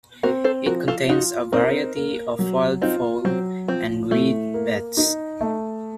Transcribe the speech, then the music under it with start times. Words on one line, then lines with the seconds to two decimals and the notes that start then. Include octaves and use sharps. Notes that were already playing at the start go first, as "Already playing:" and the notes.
It contains a variety of wildfowl and reedbeds.
0.23 C4 F#4 A#4
0.44 A4 C5
0.66 F3 F#4 A#4
0.88 F4 A4
1.09 D#4 F4 F#4
1.52 C4 D#4 A#4
1.96 A#3
2.39 F#3
2.82 C4 D#4 F4
3.25 F#3 C4
3.68 F3 C4
4.11 A2 A3
4.54 A#3
4.97 D#4
5.41 A3